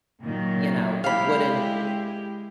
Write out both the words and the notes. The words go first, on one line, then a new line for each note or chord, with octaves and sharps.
You know, it wouldn't
A#2 D#3 F#3
G#3 E4 G4 F5 B5